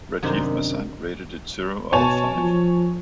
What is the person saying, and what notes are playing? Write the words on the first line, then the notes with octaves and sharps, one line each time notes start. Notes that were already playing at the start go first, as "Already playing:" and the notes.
Rajeev Masand rated it zero out of five.
F#2 C3 D#3 D4
B2 C#5 G#5 A5
F3